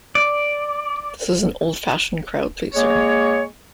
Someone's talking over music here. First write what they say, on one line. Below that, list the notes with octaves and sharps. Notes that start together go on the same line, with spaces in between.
This is an old-fashioned crowd-pleaser.
D5
G#3 A#3 G#4 C#5